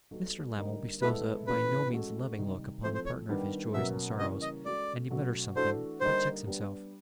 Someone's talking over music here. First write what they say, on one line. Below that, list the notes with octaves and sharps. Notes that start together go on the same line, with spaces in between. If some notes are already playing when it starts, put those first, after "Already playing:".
Mr Lammle bestows a by no means loving look upon the partner of his joys and sorrows, and he mutters something; but checks himself.
G3 B3 D#4 F#4 A4
D3 G3 A#3 D#4
G#3 B3 E4 A4 B4
A2 E3 A3 C#4 B4
G#3 C#4 F#4 A4
C3 D#3 G3 A#3 D#4
F3 A3 C4 E4 A4 C5
C5
C#5
D#3 G3 B3 D4 G4
B2 F#3 A#3 C#4 E5
C#3 E3 G3 A#3 C#4 D#5
D#5
G#3 C#4 F#4 A4 D5
B2 F#3 A3 C#4 F#4
E3 A3 D4 F#4 A4 C5
D3 G3 A#3 D#4 C5
G3 B3 D4 G4